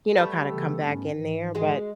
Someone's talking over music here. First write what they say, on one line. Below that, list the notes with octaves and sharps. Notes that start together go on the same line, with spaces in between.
you know, kinda come back in there," but
G3 A3 B3
C#3 E3 A4
G#2 C#4
G#2 E3
G#3 F#4 G#4